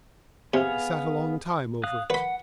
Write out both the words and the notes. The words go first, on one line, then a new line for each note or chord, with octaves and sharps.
He sat a long time over it.
C3 B3 G#4 F5
F5 D#6 F#6
B4 F#5 B5